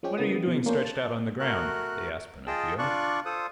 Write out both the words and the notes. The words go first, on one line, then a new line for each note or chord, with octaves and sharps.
"What are you doing stretched out on the ground?" they asked Pinocchio.
F3 G#3 C#4 G4
C#3 E3 G#3 A#3 B3 D#6
B2 E3
A#3 C#4 D4 C5
A5
A3 F#4 A#4 F#6
F4 G#4 D#5 G5 A5
D4 F4 D5 C#6 F#6
F4 A4 C5 D#6